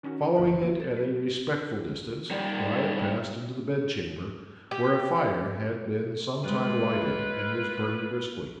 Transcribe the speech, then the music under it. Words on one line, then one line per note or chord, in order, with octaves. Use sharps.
Following it at a respectful distance, Riah passed into the bed-chamber, where a fire had been sometime lighted, and was burning briskly.
D#3 C#4 D#4 F#4
G1 D#2 A#4 F#6
F#3 A#3
A5
B4
G3 D#4 G4 A#4 D5
G4
G3 G#3 E4 F4 B4